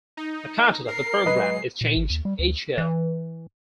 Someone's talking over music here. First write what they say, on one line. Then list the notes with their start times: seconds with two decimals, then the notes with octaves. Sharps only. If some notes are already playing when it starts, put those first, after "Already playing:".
The content of the program is changed each year.
0.17 D#4
0.88 A#4 C7
1.26 F#3 G#3 B4 D#5
1.81 A#2
1.97 G#1
2.10 D#2
2.25 G3
2.39 D2
2.78 E3